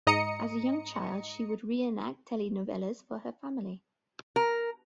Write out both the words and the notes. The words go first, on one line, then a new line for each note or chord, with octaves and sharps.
As a young child, she would reenact telenovelas for her family.
G#2 D#5 A#5 D#6 C#7
A#4